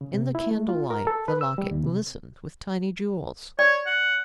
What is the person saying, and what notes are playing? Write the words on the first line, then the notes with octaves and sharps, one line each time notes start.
In the candle-light the locket glistened with tiny jewels.
C#3
C3
E4
A3
F4
A#4
A4
B4
E6
G3
D#2
C3
C#5 D5
F#5